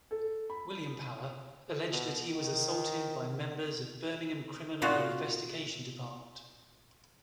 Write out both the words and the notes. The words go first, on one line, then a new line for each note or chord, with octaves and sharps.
William Power alleged that he was assaulted by members of Birmingham Criminal Investigation Department.
A4
B5
B2
D#3
A#2 F4 F#4